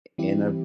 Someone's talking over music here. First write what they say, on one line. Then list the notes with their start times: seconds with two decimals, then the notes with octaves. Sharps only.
in a
0.18 E3 G3 C4 E4 G4